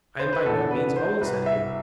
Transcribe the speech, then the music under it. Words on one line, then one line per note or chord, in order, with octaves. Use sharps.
"I am by no means old," said he.
C5
B4
E2 D3 A4
B4
C5
C2 B2 B4
E5